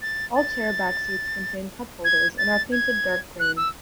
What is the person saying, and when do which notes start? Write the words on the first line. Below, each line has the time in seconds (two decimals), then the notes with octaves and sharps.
All chair back seats contain cup holders and are painted dark green.
0.02 A6
0.36 A6
2.05 G#6
2.38 A6
2.72 G#6
3.40 F#6
3.57 E6